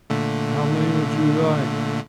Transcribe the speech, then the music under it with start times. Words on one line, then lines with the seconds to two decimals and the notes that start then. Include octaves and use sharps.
"How many would you like?"
0.10 A#2 D3 A3